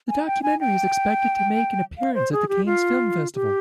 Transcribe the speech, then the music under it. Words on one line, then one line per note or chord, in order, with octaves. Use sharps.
The documentary is expected to make an appearance at the Cannes film festival.
G#5
G5
G#5
G5
F5
C5
G#4
G4
F4
G4